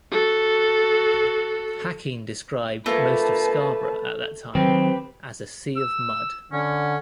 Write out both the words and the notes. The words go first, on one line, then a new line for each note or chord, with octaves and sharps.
Hacking described most of Scarborough at that time as a "sea of mud".
F#4 A4
A#2 A3 A#3 B4 A5
D#3 F#3 C4 G4 B4
E6
D3 C#4